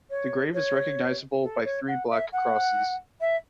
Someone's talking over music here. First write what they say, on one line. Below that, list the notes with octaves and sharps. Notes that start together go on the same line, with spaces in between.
The grave is recognizable by three black crosses.
C#5
C#5
A4
C#5
F#5
E5
F#5
E5